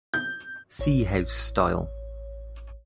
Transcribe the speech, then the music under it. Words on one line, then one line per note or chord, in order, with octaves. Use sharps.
See house style.
G6
A1 C#5